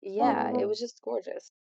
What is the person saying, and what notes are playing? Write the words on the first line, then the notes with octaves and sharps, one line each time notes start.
yeah, it was just gorgeous.
A2 G#3 B3 C#4
B3